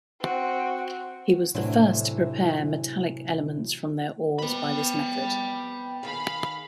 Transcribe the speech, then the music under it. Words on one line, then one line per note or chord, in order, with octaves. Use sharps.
He was the first to prepare metallic elements from their ores by this method.
C4 F#4
A2 C3 E3 F#3 D4
F2 B3 G5 B5
D#3 G#4 F5 B5